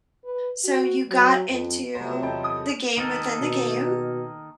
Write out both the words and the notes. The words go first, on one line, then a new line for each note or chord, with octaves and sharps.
So, you got into the game within the game.
B4
F#4
F#3
F2
C3 F3 F#3 A3 C5 C#5 A#5
E2 A4 D#5 G5 A5 B5
D#6
G#4
D#3 A#3 A4
B2